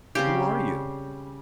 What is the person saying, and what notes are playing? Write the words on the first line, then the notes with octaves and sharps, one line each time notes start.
"Who are you?"
C#3 G3 C4 G4